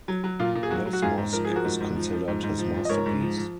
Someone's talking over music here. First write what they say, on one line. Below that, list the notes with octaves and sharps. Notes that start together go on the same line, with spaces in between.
This mosque is considered his masterpiece.
F#3
F#3
A#2 F4
A#2
G#4
F#3 F#4
F#3
F#4
G#2 F4 G#4
G#2
F3 A#4
F3 G#4
F#4 A#4
G#2
G#2
F3
F3
G#2
G#2
F3
F3
D#5
G#2 A#4 C#5
G#2
F3
F3